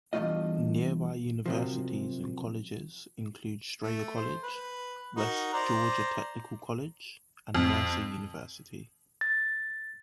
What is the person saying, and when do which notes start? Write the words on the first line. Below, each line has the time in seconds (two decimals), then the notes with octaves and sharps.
Nearby universities and colleges include Strayer College, West Georgia Technical College, and Mercer University.
0.13 E2 G2 D#3 A3 F4 D#5
1.46 F#2 C3 F3
3.81 A3
4.16 C5
4.43 B4
5.17 D#4 F#4 A#4
5.54 C5 D5 A#5
7.55 F2
9.21 A6